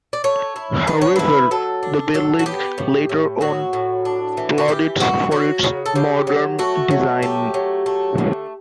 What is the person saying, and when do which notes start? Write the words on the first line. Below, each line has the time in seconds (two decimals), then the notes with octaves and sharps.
However, the building later won plaudits for its modern design.
0.13 D5
0.24 A3 C#5
0.56 E4
0.87 D3 B4
1.01 C#5
1.16 E4 B4
1.51 F#3 A4
1.83 D4
2.14 F#3 A4
2.39 F#4
2.46 B3 G4
2.78 A2
3.09 A2
3.41 F#3 F#4
3.73 A2
4.05 D4
4.37 E3
4.58 F#4
4.68 E3 G4
5.00 E3 F#4
5.31 F#3 F#4
5.63 C#3
5.86 A4
5.95 C#3 G4
6.27 F#3
6.59 A3 F#4
6.91 F#3
7.23 A3 G4
7.54 F#3
7.86 A3
8.18 D3